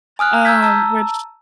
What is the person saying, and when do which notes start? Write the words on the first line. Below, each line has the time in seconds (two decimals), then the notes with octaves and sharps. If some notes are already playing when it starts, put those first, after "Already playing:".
um, which
0.19 G#5 D#6 F6 F#6
0.45 A#5 E6 F6 G6 G#6 B6
0.63 A5 A#5 E6